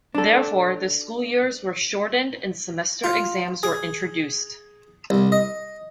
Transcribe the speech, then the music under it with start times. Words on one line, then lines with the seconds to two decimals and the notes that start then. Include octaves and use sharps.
Therefore, the school years were shortened and semester exams were introduced.
0.15 D4 A4
3.04 F4
3.63 G#4
5.10 C2
5.32 D#5